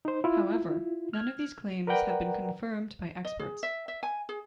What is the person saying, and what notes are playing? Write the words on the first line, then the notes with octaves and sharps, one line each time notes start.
However, none of these claims have been confirmed by experts.
D#4 C5
E4 F4
F6 G#6
A#4 B4 D5 F#5 G5 A#5
D#5
G#4
E5
E5
G#5
G#4